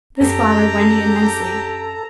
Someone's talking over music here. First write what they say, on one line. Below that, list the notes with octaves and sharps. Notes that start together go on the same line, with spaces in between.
This flattered Wendy immensely.
F#2 D4 G4 A4 A#5